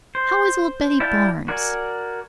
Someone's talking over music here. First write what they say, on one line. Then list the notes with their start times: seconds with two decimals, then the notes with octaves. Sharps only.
'How is old Betty Barnes?'
0.15 C5
1.00 E4 D5 F5 G5 A5
1.48 F#4 A#4 D5 G#5